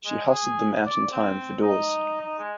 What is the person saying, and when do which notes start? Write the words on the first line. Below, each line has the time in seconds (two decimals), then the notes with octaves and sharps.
She hustled them out in time for doors.
0.05 G#3
0.29 G#4
0.86 D5
1.12 C4
1.62 D#4
2.21 D#4
2.39 G#3